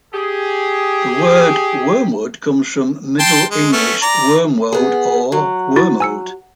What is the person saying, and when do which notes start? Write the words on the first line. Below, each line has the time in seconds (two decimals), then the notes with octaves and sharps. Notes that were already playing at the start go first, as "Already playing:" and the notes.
The word "wormwood" comes from Middle English "wormwode" or "wermode".
0.14 G4 G#4
3.19 G5 A5 C6
3.51 G#3
3.72 A3 B3 C#4
4.02 D5 A#5
4.72 B3 G#4
5.32 F#3
5.76 E4 F#4 A6
6.00 G#5 E6 C#7